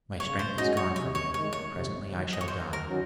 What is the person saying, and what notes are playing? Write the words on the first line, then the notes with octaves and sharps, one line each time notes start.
My strength is gone from me, and presently I shall die.
C#3 C#5
C5
G#3 C#4 D#4 F#4 D#5
C#5
C3 C#5
C#5
D#3 G#3 C#5
C#5
C3
D#3 F#3
D#5
C#5
F#2 C5
A#4
D#3 F#3 C#4 F#4